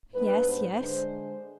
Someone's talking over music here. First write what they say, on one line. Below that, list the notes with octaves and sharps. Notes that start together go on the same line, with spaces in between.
"Yes, yes!"
G#2 G3 B3 D4 B4
C5
D3 G#3 D4